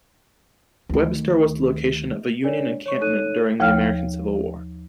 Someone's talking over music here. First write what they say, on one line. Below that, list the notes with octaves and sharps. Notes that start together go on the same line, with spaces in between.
Webster was the location of a Union encampment during the American Civil War.
D2 D#3
D4 A#4 C#5 D5
C#5 C#6
D#4 A4 C#5 F#6 D#7
D#2 F3 C#5 F5 G5 F6